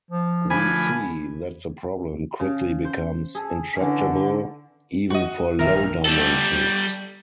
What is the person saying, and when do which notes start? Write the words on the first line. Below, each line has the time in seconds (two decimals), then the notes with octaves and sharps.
We see that the problem quickly becomes intractable, even for low dimensions.
0.11 F3
0.50 D3 F3 A3 G#5 B5
2.40 C#3
2.85 C5
3.35 G#4 A4
3.76 D3 E3 C#4
5.10 F#4 D#5
5.59 A#1 D#3 A#4 E5 F6
6.06 G3 A4